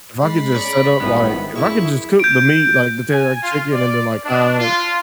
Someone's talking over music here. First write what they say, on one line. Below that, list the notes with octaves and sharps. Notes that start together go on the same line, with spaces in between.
if I could, just, set up, like if I could, just, cook the meat, like, the teriyaki chicken and then, like, uh,
G#3 B5 A6 B6 C7
C#4 G#4 D5 A#5 C#6
G#1 G2 D#3 B3 C4 E4
F#2 E4 F4 G#4 C#6 E7
G6 D7
G#5
F4
D5
D4
F4